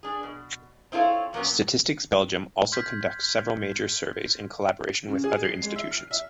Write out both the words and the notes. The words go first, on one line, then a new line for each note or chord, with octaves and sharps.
Statistics Belgium also conducts several major surveys in collaboration with other institutions.
D4 G#4
B2
C4 E4 F4 A4 C#5
A#2 F#3 A#3 B3 C#4
C6 F6 G6 G#6 B6
C#3
G#4
C7
G#3
E5
F6
E5